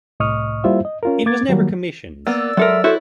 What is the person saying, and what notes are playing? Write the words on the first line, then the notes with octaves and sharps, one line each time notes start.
It was never commissioned.
C2 A2 D#5 C#6 D#6 F6
G3 A#3 E4 F4 C5 E5
D#5
C#4 F4 A#4
A#3 D6 G#6 A6
D#3 F#3 G3 A#3
A#3 B3 D5 E6
F#3 G#3 A4 A#4 E5
E4 F#4 A4 C5 C#5